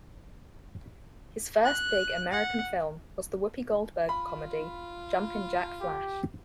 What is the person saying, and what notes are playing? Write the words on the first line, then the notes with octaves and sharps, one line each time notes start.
His first big American film was the Whoopi Goldberg comedy "Jumpin' Jack Flash".
F#6
F#5
F4 B5
G4